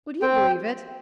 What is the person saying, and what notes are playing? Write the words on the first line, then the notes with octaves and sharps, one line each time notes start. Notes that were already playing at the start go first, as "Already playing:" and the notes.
Would you believe it?
C4 G5